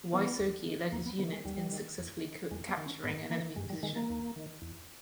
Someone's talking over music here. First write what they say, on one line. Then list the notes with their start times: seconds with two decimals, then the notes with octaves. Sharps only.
Wysocki led his unit in successfully capturing an enemy position.
0.13 E3 B3
0.39 D#2
0.66 D#3
0.92 D#2 A#3
1.06 B3
1.19 D#3 B3
1.32 G#3
1.45 D#2 G3
1.72 D#3
1.98 E2
2.25 D#3
2.51 E2 G#3
2.69 B3
2.77 D#3
2.86 C#4
3.03 G#2 B3
3.30 D#3 A#3
3.56 G2 G#3
3.70 G3
3.83 D#3 G#3
3.96 A#3
4.10 D#2
4.36 D#3
4.62 E2